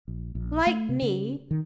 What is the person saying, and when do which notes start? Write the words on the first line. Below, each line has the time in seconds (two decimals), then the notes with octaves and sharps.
Like me!
0.08 A#1
0.35 A#1
0.67 A3
0.89 C3
1.02 C#3
1.51 D#3